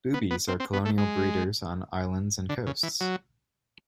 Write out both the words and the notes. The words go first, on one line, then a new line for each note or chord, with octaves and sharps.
Boobies are colonial breeders on islands and coasts.
B3
B3
C4
C4
B3
A3
G#3
D3
C#3
E3
F#3